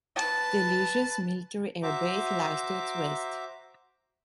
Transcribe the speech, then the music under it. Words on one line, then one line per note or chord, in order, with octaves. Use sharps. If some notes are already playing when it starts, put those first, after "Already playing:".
The Eleusis Military Airbase lies to its west.
B4 A5
F#4 C5 E5 A#5 D6